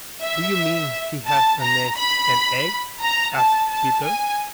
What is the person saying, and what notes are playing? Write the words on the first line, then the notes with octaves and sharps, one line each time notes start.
"Do you mean she has a nest and eggs?" asked Peter.
E5
A5
A#5
B5
A#5
A5
A5
G#5